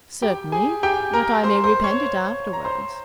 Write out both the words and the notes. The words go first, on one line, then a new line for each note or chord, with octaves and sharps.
'Certainly; but I may repent it afterwards.'
G4 G5
G#4 G#5
G4 G5
A#4 A#5
C5 C6
C5 C6
C#5 C#6
A#5
C5 C6